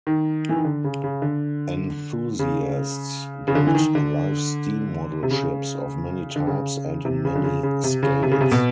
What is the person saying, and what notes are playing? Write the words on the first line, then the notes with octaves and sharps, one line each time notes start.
Enthusiasts build live steam model ships of many types and in many scales.
D#3
E3
D#3
D3
C#3
C#3
D3
C#3
C#3
D3
E3
D#3
D3
C3
C#3
D3
C#3
C3
C#3
D3
C#3
C#3
C3
C#3
C3
C#3
C3
B2